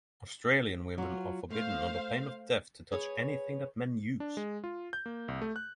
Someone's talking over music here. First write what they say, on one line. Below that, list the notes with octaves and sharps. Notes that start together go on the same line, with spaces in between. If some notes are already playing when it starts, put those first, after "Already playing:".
Australian women are forbidden under pain of death to touch anything that men use.
F#3 F4
A3 C5 F5
G#4 B4 C#5
D4
G#3
F4
G6
A#3
C2
A3
F#6